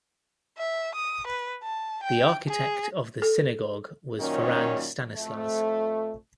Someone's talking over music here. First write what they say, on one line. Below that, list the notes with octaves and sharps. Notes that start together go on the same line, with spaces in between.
The architect of the synagogue was Ferrand Stanislas.
E5
D#6
B4
A5
G5
G#4
A4
F#2 A#2 D#3 C#4 A#4
F2 A3